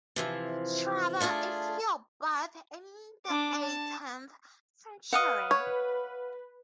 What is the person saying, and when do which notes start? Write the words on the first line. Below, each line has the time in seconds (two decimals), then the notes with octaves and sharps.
Trouble is you're both in the eighteenth century.
0.16 C3 E3 F3
1.20 A3 D4 F4 G#4
3.26 D4 D6
3.63 A5
5.13 B4 D#5 F5 F#5
5.51 C#5